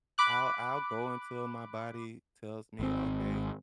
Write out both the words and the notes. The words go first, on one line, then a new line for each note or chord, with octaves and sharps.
I'll I'll go until my body tells me, "Okay,
B5 D6 F#6
G#1 C4